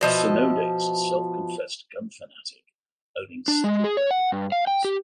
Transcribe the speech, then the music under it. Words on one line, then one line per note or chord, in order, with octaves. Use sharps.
Sonoda is a self-confessed gun fanatic, owning several replica guns.
B2 F3 D#5 E5
D4
G#3
G#4
C#5
F#5
G2
F5
G5
G4